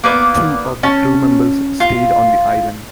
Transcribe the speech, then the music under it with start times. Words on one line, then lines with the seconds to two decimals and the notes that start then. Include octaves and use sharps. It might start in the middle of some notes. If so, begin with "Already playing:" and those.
Two of the crewmembers stayed on the island.
0.04 A#3 B3 D5
0.83 C#4 A5
1.80 F4